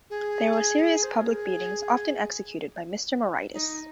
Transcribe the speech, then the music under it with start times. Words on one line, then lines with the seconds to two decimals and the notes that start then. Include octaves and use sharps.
There were serious public beatings often executed by Mr. Moraitis.
0.10 G#4
1.03 C5
1.14 A#4
1.25 G#4
3.53 D#4